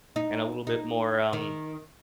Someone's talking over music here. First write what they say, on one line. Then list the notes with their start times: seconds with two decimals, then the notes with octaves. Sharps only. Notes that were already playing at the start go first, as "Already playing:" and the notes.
and a little bit more, um,
0.16 D#4
0.67 D#4
1.33 D#3